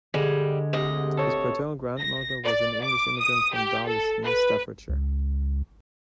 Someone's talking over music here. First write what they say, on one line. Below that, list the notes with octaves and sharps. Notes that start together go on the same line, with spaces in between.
His paternal grandmother was an English immigrant from Darlaston, Staffordshire.
D3 G3 G#3
D2 C3 D#5
A4 C#5
A#6
D5
D6
D#6
G4
A4
B4
C#2